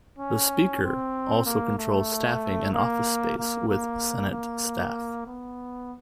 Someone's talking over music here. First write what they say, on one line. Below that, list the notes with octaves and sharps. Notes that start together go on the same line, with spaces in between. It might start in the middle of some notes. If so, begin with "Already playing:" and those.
The Speaker also controls staffing and office space with Senate staff.
C#4
C4
A#3
A3
A#3
A#3
A#3
A#3
B3